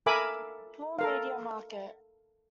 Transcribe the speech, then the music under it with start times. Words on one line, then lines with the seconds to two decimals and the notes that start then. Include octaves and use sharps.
Paul media market.
0.06 A4 A#4 E5 G#5 B5 D6
0.99 A4 A#4 F5